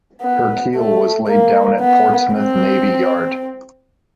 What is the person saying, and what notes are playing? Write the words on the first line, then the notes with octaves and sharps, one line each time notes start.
Her keel was laid down at Portsmouth Navy Yard.
B3
A3
A#3
B3
C4